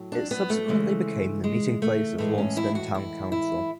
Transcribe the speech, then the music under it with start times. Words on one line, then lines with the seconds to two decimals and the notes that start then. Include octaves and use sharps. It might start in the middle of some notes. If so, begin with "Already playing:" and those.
It subsequently became the meeting place of Launceston Town Council.
Already playing: A2 F#3
0.12 D4
0.31 B3
0.50 A3
0.68 C#3 E3 G#3
1.44 G#3
1.82 A3
2.18 A2 E3 G#3 A3
2.38 C#4
2.57 E4
2.75 F#4
2.95 E4
3.32 E4